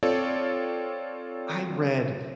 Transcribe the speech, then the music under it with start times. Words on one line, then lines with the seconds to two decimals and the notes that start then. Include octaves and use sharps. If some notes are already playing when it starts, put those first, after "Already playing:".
I read
0.03 C4 F4 A4 C#5 D5